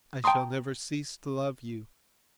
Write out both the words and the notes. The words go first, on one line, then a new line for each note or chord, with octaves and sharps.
I shall never cease to love you....
G5 A5 A#5 C6 D#6